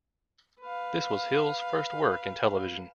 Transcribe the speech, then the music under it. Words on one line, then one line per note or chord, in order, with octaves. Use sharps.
This was Hill's first work in television.
B4 F5